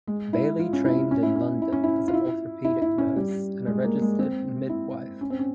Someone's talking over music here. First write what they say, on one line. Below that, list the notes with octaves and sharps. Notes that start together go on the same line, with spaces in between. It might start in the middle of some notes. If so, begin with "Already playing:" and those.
Bailey trained in London as an orthopaedic nurse and registered midwife.
G#3
E4
F4
C#4
E4
C#4
E4
C#4
E4
C#4
E4
F4
E4
E4
E4
C#4
G3
G#3
A#3
G#3
C4
E4
C#4
C4
C#4